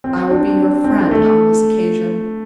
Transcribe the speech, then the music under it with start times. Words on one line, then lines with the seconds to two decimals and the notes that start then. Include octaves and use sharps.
I will be your friend on this occasion.
0.04 C4
0.31 D4
0.84 C4
1.11 A3